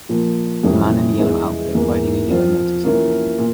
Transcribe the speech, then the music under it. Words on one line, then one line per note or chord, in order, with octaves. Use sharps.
A man in a yellow outfit riding a yellow motorcycle.
A#2 F3 A#3
F2 C3 E3 G3 C#4
E2 E3 G#3
E2 E3 A#3
F3 C4 F4 C5
E3 A#3 C#4 F4 A#4
A#2